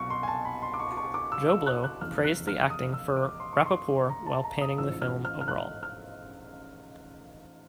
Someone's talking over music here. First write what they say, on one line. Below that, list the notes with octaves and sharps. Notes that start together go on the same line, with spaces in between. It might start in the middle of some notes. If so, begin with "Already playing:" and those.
JoBlo praised the acting for Rappaport while panning the film overall.
Already playing: C2 B2 F#3 C#6
C6
G#5
A5
B5
C6
D6
C#6
C#6
D6
E6
E6
F#6
F#6
F1 E2 C#3 F6
F#6
F6
D#6
E6
D6
C6
C#6
C6
A#5
A5
A#5
D#6
A1 G#2 F3 E6
F6
F6
F6
F#6
F6